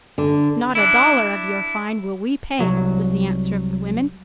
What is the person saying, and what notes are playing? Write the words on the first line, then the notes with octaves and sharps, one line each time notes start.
"Not a dollar of your fine will we pay," was the answer of the women.
D3
D4 E4
C2 F#3